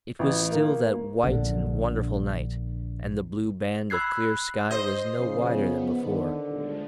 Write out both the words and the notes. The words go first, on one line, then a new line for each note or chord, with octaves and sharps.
It was still that white and wonderful night, and the blue band of clear sky was no wider than before.
A1
A#3
A#1 D3
B5 E6 F#6 G#6 C7
C5 D#5 C7
C#3 F3 B3
D3 D#3
D#1 F3 G#3 A3